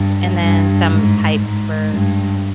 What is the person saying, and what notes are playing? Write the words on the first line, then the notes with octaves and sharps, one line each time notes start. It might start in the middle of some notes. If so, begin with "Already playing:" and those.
and then some pipes bur
Already playing: G2
G2
G#2
G#2
G2